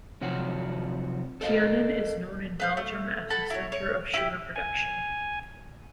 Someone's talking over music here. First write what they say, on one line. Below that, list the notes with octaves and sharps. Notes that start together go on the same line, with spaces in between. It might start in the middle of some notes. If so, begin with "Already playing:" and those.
Tienen is known in Belgium as the center of sugar production.
C3 F3 F#3 F#4
A4 A#4 D#5 F5
B4 F5 G6
A3
A4 F#5 A5 B5
E4 F#4 C#5
C#5
E4 F4 G4
G#5